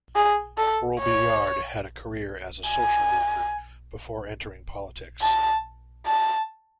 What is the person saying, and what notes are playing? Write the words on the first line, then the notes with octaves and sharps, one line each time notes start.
Robillard had a career as a social worker before entering politics.
G#4
A4
C#5
G#5
A5
A5